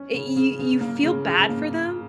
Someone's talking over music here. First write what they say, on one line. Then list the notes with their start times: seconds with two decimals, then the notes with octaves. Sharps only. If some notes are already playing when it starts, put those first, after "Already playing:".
y y you feel bad for them,
Already playing: C#4
0.14 C#3
0.36 C#3
0.59 C#3
0.81 A#3
1.03 C#3
1.26 C#3
1.49 A#3